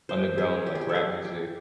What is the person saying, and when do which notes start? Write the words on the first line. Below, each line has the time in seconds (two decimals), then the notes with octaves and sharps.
underground, like, rap music,
0.09 C5
0.38 G#4
0.66 G4
0.75 G#4
0.81 G4
0.89 A4
0.95 G#4
1.25 G4